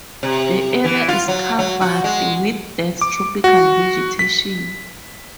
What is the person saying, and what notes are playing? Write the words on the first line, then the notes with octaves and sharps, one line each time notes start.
The area is covered with dense tropical vegetation.
C3
E3
F4
F#3
F#3
F#4
G#3
D6
F#4
B6